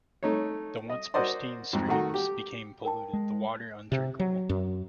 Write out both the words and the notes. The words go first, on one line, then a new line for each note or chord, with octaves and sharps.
The once pristine streams became polluted, the water undrinkable.
A3 D#4 C#5
D#5
F#4 A#4 C5 D5 D#5 C6
F2 G#2
D#3 A3 F#4 A#5
G4
A#4 G5 A5
G#3
C3
F#3
F#2